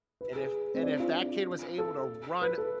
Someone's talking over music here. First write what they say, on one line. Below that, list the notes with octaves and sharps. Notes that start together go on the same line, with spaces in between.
and if And if that kid was able to run
B4
G#4
C4
D4
F4
A4
B4
A4